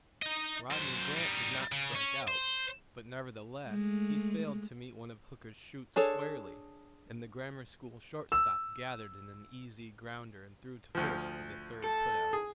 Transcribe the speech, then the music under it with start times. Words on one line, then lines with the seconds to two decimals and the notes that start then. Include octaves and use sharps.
Rodney Grant did not strike out, but, nevertheless, he failed to meet one of Hooker's shoots squarely, and the grammar school shortstop gathered in an easy grounder and threw to first for the third put-out.
0.22 D#4 D#5
0.70 F#2 C5
1.17 G3 D#4
1.72 C#3
1.95 C#4
2.28 C5
3.68 G#3 A3
5.96 D4 G#4 A4 C#5
8.32 E6
10.95 D2 F3
11.84 A4
12.33 G#4